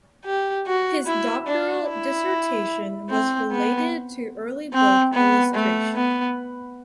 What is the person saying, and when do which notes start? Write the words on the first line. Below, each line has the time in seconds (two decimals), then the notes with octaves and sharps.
His doctoral dissertation was related to early book illustration.
0.25 G4
0.66 F#4
1.07 E4
1.47 D4
1.88 E4
3.10 C4
3.51 B3
4.73 C4
5.14 B3
5.54 A3
5.95 B3